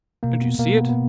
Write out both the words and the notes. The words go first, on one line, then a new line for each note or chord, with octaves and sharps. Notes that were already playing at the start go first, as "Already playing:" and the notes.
Don't you see it?
B2 A#3
B3
B2 A#3
B3
B3